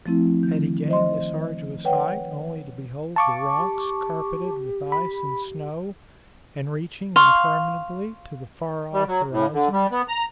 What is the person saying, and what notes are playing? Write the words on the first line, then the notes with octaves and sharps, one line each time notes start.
Had he gained this arduous height only to behold the rocks carpeted with ice and snow, and reaching interminably to the far-off horizon?
F3 A3 C4 E4
D#3
C5 D#5 C6
B4 C#5 F#5 G5
F5 A5 C#6 D6
G4
B5
F5 C6 C#6
G3
F#3
A2
D3
G3
B3
A#5